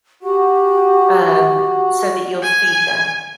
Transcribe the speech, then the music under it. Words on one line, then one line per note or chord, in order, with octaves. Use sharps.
um, so that you'll feed them.
F#4 G4
G#5